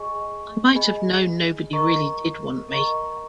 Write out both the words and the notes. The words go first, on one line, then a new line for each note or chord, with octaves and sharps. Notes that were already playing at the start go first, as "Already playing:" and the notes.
I might have known nobody really did want me.
Already playing: G#4 D#5 G#5 C#6
G#4 D#5 G#5 B5
A#4 D#5 A#5 C#6
A#4 D#5 A#5 C#6